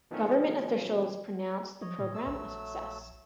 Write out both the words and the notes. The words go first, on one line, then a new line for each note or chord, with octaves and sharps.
Government officials pronounced the program a success.
B2 D#3 F3 F#3 A3 C#4
F3 C#5 D#5
A2
F#3 A3 E6
A#1